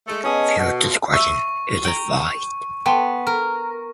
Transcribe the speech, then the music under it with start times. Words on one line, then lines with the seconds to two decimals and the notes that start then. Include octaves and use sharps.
Viewer discretion is advised.
0.07 G#3 A3
0.23 B3 C#4 G#4 A4 D#5 A5
0.58 B2
0.84 F4
1.13 E5 C#6 E6
1.85 G5 A#5
2.86 B3 G5 A5 C6
3.27 A#4